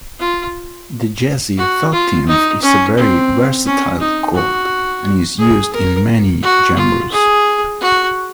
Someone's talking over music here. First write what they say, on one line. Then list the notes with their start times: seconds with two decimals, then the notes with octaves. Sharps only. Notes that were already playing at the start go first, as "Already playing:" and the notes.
The jazzy thirteenth is a very versatile chord and is used in many genres.
0.19 F4
1.58 F#4
1.93 F4
2.27 D#4
2.62 C#4
2.97 C4
3.66 C#4
4.00 D#4
4.35 F#4
5.39 G#4
5.73 A#4
6.43 F#4
6.77 F4
7.12 G#4
7.81 F#4